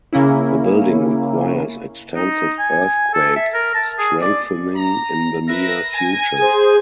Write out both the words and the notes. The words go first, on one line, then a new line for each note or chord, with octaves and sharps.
The building requires extensive earthquake strengthening in the near future.
C#3 A#3 C#4 E4
D#4
G#5
A4
E5
A#4
A5
G#4
D5
A#5
A#4 B4 E5 A#6
G#5
G#4 C5